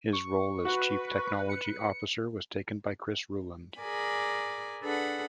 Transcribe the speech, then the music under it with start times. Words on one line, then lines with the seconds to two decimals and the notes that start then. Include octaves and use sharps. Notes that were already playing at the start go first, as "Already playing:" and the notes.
His role as Chief Technology Officer was taken by Chris Rouland.
0.13 C#6
0.65 F#4 B4
1.49 C#7
3.80 G#4 A#4 D5 G#5 B5
4.83 D4 G#4 A4 B4 F#5 B5